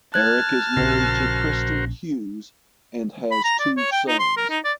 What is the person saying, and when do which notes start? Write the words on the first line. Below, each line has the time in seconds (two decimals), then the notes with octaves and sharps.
Eric is married to Kristin Hughes and has two sons.
0.14 A5 F6 F#6 G#6
0.77 A#1 C#3 F#4 A#4 C5
3.31 B5
3.44 A#5
3.59 D5
3.77 C#5
3.92 G5
4.08 D#4
4.19 C6
4.37 A#4
4.50 D#4
4.64 D5